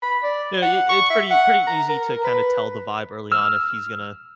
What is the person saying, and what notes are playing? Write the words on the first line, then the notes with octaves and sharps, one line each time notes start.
eh i it's pretty pretty easy to kinda tell the vibe early on if he's gonna
B5
D5
F#5
C#6
E5
F#5
A#5
A#4
A#4
B4
E6 F6